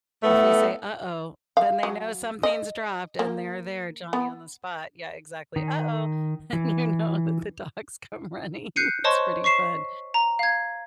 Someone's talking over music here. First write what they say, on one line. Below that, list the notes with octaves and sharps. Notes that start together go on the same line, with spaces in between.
If we say, "uh-oh," then they know something's dropped, and they're there, Johnny on the spot. Yeah, exactly. "Uh-oh." And you know that the dogs come running. It's pretty fun.
A2 A3 B3
F5
F#3
D#5
A#3
B3
D#3
E3
F#6 G6 C7 C#7 D#7
C5 C#5 D#5 A5 C6 C#6
C#6 B6 C7 E7
A#5
F5 G#6